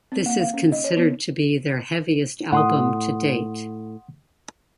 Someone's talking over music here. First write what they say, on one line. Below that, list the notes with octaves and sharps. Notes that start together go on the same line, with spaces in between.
This is considered to be their heaviest album to date.
C4
A#3
F5
C#4
D#5
C#5
B3
A2 F#5 C6 D#6